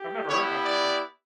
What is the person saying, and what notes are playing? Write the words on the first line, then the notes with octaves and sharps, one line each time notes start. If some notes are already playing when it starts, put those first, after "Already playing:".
I've never heard about them.
Already playing: G4
B3 E4 G4 C#5
D5